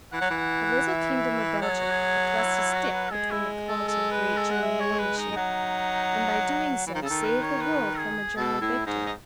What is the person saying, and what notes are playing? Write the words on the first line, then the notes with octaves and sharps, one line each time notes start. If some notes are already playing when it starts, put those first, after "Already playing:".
The little Kingdom of Belgium had thrust a stick between the cogs of the great German war machine, and by doing so saved the world from a German victory.
E3 F#5
F#3
E3
F#5
F#5
E5
F#3 A4
G#4
F#4
G#4
E4
E4
F#4
B4
G#3 G#4
E4
A4
A4
B4
A4
F#5
E5
C#5
B4
D#4
G#3
F#3 D#4
E3
D#3
C#3
A4
D#3
B4
C#5
B4
G#4
B2 A4
A2 E4
G#2 D#4
D#4